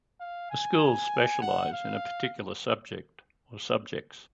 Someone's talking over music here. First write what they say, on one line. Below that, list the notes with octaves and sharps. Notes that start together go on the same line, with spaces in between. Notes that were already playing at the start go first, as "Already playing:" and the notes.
The schools specialize in a particular subject or subjects.
F5
G#5
F#5
F5